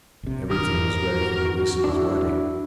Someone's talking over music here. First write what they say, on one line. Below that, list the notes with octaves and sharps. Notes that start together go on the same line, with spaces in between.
Everything was ready for Bellissima's wedding.
A#1 C3
D#3 G4 A#4 D#6 F6
F2 G#2 E3
F#4
D4 E4